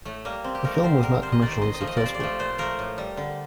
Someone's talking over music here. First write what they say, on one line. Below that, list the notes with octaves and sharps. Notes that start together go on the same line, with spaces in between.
The film was not commercially successful.
A2 A3
G3 A#3
C3 C4
G4
F3 A3 A#4
A#4
D3 C5
G3 A#4
C3 C5
D#5
D#3 A3 D5
C5
C3 D#5
D#5
F3 A3
D#5
C3 D5
C5
D5
F3 A3
A#2 C5
F3 A3 A#4
A2
G3
D3